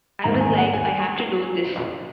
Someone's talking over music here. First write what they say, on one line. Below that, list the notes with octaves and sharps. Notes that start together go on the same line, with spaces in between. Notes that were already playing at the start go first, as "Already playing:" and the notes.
I was like, 'I have to do this.
G#2 D#3 A#5
G#5
F#5
G#5